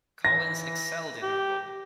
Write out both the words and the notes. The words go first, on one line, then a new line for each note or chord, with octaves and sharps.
Collins excelled in her role.
E3 A#6
G4